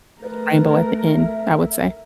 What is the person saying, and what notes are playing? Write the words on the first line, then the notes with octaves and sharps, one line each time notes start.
there's a rainbow at the end, I would say.
A3 A#4 B4
E5